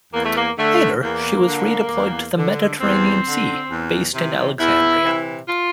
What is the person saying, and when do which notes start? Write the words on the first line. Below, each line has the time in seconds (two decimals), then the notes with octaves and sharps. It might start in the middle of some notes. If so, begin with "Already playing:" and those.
Later, she was redeployed to the Mediterranean Sea, based in Alexandria.
0.13 E2 A#3
0.25 A3
0.37 A#3
0.58 D3 A3
1.02 E2 A#3
1.46 D3
1.91 E2
2.37 D3
2.80 E2 C4
3.26 D3
3.71 E2
4.14 C3 E3
4.59 E2 E4
5.05 C3 E3
5.48 F4